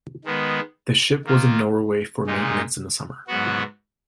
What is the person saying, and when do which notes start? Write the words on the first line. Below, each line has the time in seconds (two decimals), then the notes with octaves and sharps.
The ship was in Norway for maintenance in the summer.
0.25 D#3 G#3 B3
1.25 D#3 A#3 F4
2.27 A#2 G#3 D#4
3.27 G#2 F#3 B3 F#4